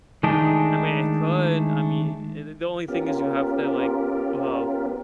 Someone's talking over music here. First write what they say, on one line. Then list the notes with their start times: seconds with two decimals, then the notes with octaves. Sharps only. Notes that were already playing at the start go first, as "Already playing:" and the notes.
I mean, it could I mean, eh, the the only thing is you have to, like well
0.23 D#3 G#3 A3 D4 D#4
2.88 B3 C#4 F4 G4 A#4